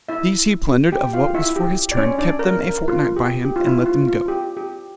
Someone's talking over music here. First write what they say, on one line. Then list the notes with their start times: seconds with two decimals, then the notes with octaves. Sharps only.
These he plundered of what was for his turn, kept them a fortnight by him, and let them go.
0.09 E4 E5
0.92 G4 G5
1.13 F4 F5
1.34 E4 E5
1.56 G4
1.92 D5
1.97 C#4 C#5
2.18 D4 D5
2.39 A#4
2.60 A#4
2.88 F4
3.16 G4
3.45 G4
3.56 F4
3.66 E4
3.86 F4
4.07 F4
4.28 G4
4.57 G4